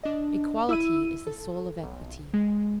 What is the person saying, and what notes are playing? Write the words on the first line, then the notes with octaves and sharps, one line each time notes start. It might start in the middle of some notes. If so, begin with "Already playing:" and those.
Equality is the soul of equity.
D4 D#5
E4 E6 D#7
A4
B1
G#3